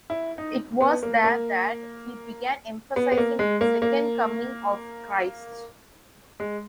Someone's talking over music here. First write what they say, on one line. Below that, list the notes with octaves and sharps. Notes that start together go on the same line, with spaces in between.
It was there that he began emphasizing the Second Coming of Christ.
E4
D#4
B3
A#3
A#3
B3
B3
A#3
G#3
A#3
A#3
G#3